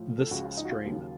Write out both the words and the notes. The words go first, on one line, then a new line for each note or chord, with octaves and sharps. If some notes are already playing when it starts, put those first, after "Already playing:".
This stream.
Already playing: A2 F3
A4
C#2 C#3 F3 F#4
F4
D#4
F#4
F4
D#2 C#3 F#3